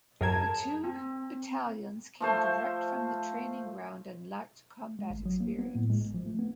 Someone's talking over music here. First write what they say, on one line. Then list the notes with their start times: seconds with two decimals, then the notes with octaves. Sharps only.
The two battalions came direct from the training ground and lacked combat experience.
0.21 F#2 G#4 A#4 G5 A5 G#6
0.84 C4
2.20 F3 A3 C5
4.99 G#3
5.10 G#1
5.26 F#3
5.41 A#3
5.59 B3
5.75 A2
5.90 G#3
6.01 G1
6.14 F3
6.26 A3
6.39 B3